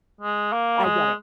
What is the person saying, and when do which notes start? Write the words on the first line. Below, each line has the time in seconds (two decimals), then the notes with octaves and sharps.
I get it.
0.21 G#3
0.53 A#3
0.84 G#3